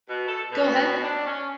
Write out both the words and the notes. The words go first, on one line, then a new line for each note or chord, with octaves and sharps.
Go ahead.
B2
A4
B2
D4
C#4